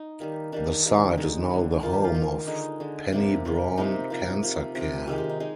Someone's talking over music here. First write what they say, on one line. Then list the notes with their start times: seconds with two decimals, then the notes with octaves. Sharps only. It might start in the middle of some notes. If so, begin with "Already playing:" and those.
The site is now the home of Penny Brohn Cancer Care.
Already playing: D#4
0.20 D#3 G3 A#3
0.52 D#3 G3 A#3 D4
0.85 D#3 G3 A#3
1.17 D3 G#3 D#4
1.50 D3 G#3
1.82 D#3 A#3 F4
1.93 G4
2.04 F4
2.15 D#3 A#3
2.47 D3 G#3 D#4
2.80 D3 G#3
3.12 C3 G3 A#3 D4
3.45 C3 G3 A#3
3.77 C3 F3 A#3 D#4
4.10 C3 F3 A#3
4.43 C3 F3 A#3
4.75 C3 F3 A#3
5.07 C3 D#3 G#3 G4
5.18 G4
5.29 D#4
5.40 G#3 D#4